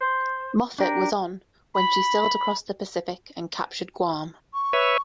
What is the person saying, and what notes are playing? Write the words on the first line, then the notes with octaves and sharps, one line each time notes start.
Moffett was on when she sailed across the Pacific and captured Guam.
C5
D4 G4 A#4
B5
C#6
B4 C#5 E5